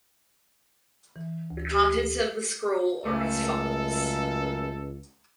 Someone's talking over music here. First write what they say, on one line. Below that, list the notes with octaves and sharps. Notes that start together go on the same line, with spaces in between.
The contents of the scroll are as follows.
E3
D2
G4
A4
C#2 F#2 C#3 A3 A4 A#4